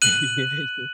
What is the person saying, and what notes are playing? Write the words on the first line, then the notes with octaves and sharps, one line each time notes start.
Yeah, yeah.
F#6 D#7 F#7